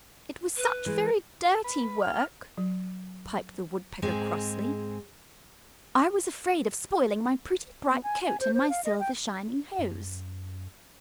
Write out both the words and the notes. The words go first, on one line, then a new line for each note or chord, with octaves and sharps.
"It was such very dirty work," piped the Woodpecker crossly; "I was afraid of spoiling my pretty bright coat and my silver shining hose."
B4
E3 G#3
B4
B4
F6
F#3
G#2 G#3 C4 G#4
B3
G#5
G#5
C5
C5
F5
D#5
G5
F#2